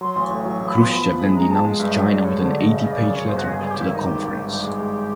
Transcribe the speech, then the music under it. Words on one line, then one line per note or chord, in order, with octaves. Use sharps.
Khrushchev then denounced China with an eighty-page letter to the conference.
F#3 C6
A1 C6
C#6
A2
F#3 C#6
A1
B5
B3
C6
F3 B5
F3
G#3
G#3 A#5
G#3 A5
G#3 F5
G2 E5
D#5
F#3 E5
D#5
G2 D5
G2 C#5
D3 C5
D5
G2 D#5
C#3 D#5
E5
C#3 D#5
D5
F#2
C#3 C#5
G1 C5
F#4
C#3 G#4
G2 G#4
G#1 G4
E4
D#3 D#4
G#1 G4
G#1
G#1
G2 G4
G#3
G#3